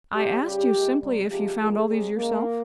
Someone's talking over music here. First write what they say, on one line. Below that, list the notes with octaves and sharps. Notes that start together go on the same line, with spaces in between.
'I asked you, simply, if you found all these yourself?'
C3 G3 G4
C#3 G3 G4
A#2 G#3
C3 G3
C3 F3 G#3 G4
A#2 F3 G#3 G#4
C3 G3
C#3 G#3 A#3